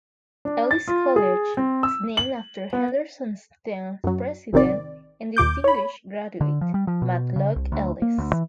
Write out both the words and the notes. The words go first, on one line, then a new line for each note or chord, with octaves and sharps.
Ellis College is named after Henderson's tenth president and distinguished graduate, Matt Locke Ellis.
D4
A6
F4
G#4
C4
E6
F#7
B3
F#2 F#3
A1 C3 D#3 C4 D5
D#2 A#2 D6 G6
C#5 B5
D3
F3
G3
F3
B2
C#3
C2
D2
A#3
D2
E3